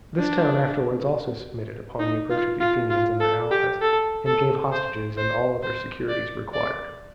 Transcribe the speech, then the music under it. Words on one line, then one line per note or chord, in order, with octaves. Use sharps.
This town afterwards also submitted upon the approach of the Athenians and their allies, and gave hostages and all other securities required.
D4
D#4
F4
F4
F4
A4
G4
A4
A4
C5
C5
C5
D5
D5